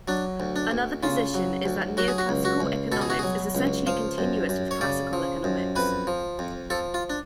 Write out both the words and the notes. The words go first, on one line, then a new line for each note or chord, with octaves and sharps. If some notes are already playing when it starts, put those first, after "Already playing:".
Another position is that neoclassical economics is essentially continuous with classical economics.
F#3 D4
D2
D4
D2
C#3 F4
F#3
D2
F#3 F#4
G#4
F#4
C#2
F#4
C#2
B2 A4
G#4
F#4
F#3 G#4
C#2
F3 F5
F#2
F#2
C#5
C#3 D5
F3
F#2
F2 B4
F3
F2
F3 A4
F4
D4